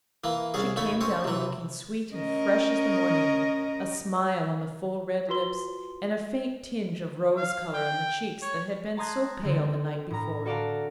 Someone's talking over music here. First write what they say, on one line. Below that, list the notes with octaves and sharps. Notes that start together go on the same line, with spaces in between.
She came down looking sweet and fresh as the morning; a smile on the full red lips, and a faint tinge of rose color on the cheeks that had been so pale the night before.
E3 A#3
C2 C#4 G#4
D#2 A3 C#5 B5
C4 C#4 C#5
C3 E3
C#4 A#4 D#5
F4 F#4 B4 C6 G7
F5
G5
C#5
A5 A#5 C6 D#6 F#6 G#6
D3 C4
A2 A#5
F#4 A4 D5 F5 A5 A#5